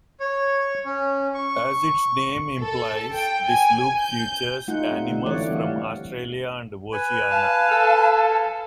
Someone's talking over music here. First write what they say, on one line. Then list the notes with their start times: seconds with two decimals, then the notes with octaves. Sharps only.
As its name implies, this loop features animals from Australia and Oceania.
0.20 C#5
0.85 C#4
1.34 C#6
2.61 A4
3.15 G5
3.50 G#5
4.01 G6
4.68 G3 A3 D#4 F4 F#5
4.92 C4
5.10 D3 A3
5.26 E3 A3 C4 C#5 D5 F#5
5.51 G3 F5
6.93 B4 G#5
7.29 F5 A5
7.71 A4